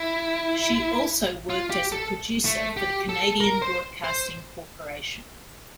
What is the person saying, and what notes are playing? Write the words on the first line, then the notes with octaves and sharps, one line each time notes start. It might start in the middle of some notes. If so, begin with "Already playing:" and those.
She also worked as a producer for the Canadian Broadcasting Corporation.
Already playing: E4
F4
G4
A4
A3
G4
A4
A#4
C5
C5